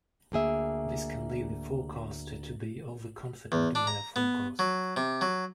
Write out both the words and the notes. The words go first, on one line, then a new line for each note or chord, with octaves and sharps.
This can lead the forecaster to be overconfident in their forecast.
D2 A#3 G#4 E5
E2
D4
A#5
B3
F#3
C3
F#3